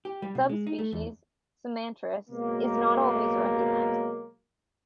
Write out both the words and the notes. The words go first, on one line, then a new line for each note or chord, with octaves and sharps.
Subspecies "sumatranus" is not always recognized.
G4
G3
B2
G#3
D#4
A3
E2
B2 F#3 G#3 A#3